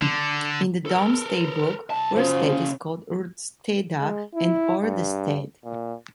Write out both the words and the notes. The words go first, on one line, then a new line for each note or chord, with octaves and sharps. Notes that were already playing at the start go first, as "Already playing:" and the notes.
In the Domesday Book, Worstead is called "Wrdesteda" and "Ordested".
D3
A4 A#4
C2 A5
F#2 C#3 F3
G#3
E4
G2
A#2